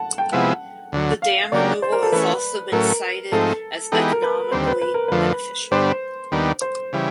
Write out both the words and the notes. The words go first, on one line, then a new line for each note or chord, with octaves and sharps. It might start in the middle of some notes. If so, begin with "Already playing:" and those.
The dam removal has also been cited as economically beneficial.
Already playing: F#5 A5
G5
C3 F3 G#3 B3 E4 F#5
D2 D3 F#3
F5
C#3 F#3 A#3 D4 G4 D5
C5
A#4
A4
E3 A3 C#4 B4
A2 F#3 A3 C#4 A#4
G#2 F3 A3 C4 D#4 A4
E3 G#3 B3 D#4 G4 A4
A#4
B4
D#2 D3 G3 C4 C5
B4
B4
A#4
F2 D3 F3 A3 B4
G2 D3 G3 B3 D4 C5
D#2 D#3 G3 B3 D4
C5
C#3 E3 G3